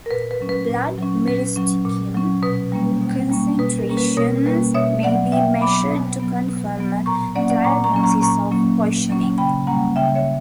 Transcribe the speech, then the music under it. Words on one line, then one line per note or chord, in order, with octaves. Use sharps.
Blood myristicin concentrations may be measured to confirm a diagnosis of poisoning.
A#4
A#2 B4
B4
F#3 C#4
B4
A#2
F#3
C#4
A#2 B4
F#3 C#4
A#2
F#3 C#4
B2 B4
G3 A#3 C#4
B2
G3 A#3 C#4
B2 B4
A#4
G3 A#3 C#4
B4
B2 A#4 C#5
G3 A#3 C#4 B4
B2 C#5 E5
F#3 B3 D5 F#5
B2 E5 G5
F#3 B3 B5 D6
B2
F#3 B3
B2
F#3 B3
A#2 A#5 C#6
F#3 A#3 C#4 D5 F#5
D5 F#5
A#2 A#5 C#6
A#5 C#6
F#3 A#3 C#4
A#5 C#6
A#2 A#5 C#6
F#3 A#3 C#4
A#2
F#3 A#3 C#4
C#3 G5 B5
G3 A#3 C#4 F#5 A#5
C#3 E5 G5
C#5 E5